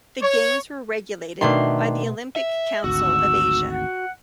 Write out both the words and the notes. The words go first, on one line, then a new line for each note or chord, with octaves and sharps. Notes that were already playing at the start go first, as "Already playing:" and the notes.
The games were regulated by the Olympic Council of Asia.
C#5
B2 D#3 A3 D4 C6
E5
G#1 D2 F#4 E6
F#5